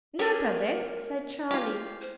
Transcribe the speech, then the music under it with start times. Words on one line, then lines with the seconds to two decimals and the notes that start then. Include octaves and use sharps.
"Not a bit," said Charlie.
0.19 C#4 G4 G#4 A#4
1.51 E4 F4 G4
2.01 C5